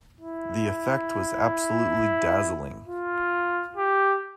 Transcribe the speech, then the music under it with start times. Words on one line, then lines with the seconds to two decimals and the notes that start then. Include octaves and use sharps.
The effect was absolutely dazzling.
0.21 E4
2.88 F4
3.76 G4